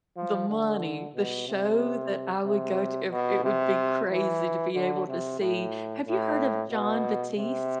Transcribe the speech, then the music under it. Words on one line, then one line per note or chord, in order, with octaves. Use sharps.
the money, the show that I would go to it it would be crazy to be able to see. Have you heard of John Batiste?
F3
D3
B2
C3
C3
B2
C3
E3
D3
C3
A2
A2
B2
C3